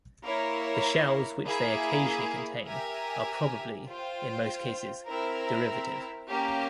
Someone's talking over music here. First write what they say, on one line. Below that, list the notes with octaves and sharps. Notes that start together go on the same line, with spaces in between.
The shells which they occasionally contain are probably, in most cases, derivative.
A#3 E4 A#4 C#5
A#3 E4 G#4
G4 A#4 E5 G#5
F4 C5 G5
C4 E4 A#4 E5
A#3 C#4 G4